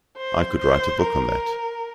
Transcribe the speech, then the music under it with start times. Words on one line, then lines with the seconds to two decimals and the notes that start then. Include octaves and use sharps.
I could write a book on that.
0.17 C5
0.60 C5
1.02 A#4